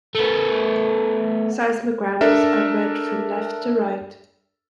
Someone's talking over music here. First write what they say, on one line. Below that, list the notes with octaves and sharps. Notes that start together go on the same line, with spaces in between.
Seismograms are read from left to right.
A3 B3
D4 A4 A#4 E5